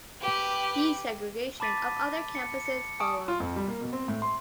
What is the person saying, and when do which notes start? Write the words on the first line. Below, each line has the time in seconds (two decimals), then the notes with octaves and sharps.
Desegregation of other campuses followed.
0.21 G4 B4
1.60 A5 B5 D6 A6 B6 D#7
2.35 C#7
2.66 C#7
3.00 G#5 A5 C#6 D#6 D7
3.28 F4
3.40 F2
3.56 G3
3.68 A#3
3.81 B2
3.93 C4
4.08 A2
4.22 C6